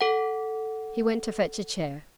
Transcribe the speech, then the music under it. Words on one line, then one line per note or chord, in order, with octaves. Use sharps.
He went to fetch a chair.
A4 F#5